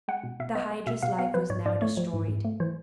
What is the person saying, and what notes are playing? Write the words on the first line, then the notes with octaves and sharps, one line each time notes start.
The Hydra's life was now destroyed.
G#3 F#5
B2
B2 E5
B3 D#5
G#3
B2 E5
B2 F5
B3 F5
F3 B4
G#2 C#5
G#2 D5
A3 C#5
F3
G#2
G#2
A3
E3 C5